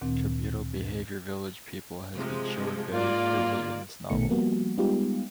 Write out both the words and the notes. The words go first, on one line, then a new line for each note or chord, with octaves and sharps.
Communal behavior village people has been shown very cruelly in this novel.
D2 A#2 D#3 C4
C3 F3 G#3
G#2 A#3 F4 D5
A#1 B2 D#3 A3 C#7
F3 G3 A#3 B3 F#4
G3 G#3 B3 D#4 F4 G4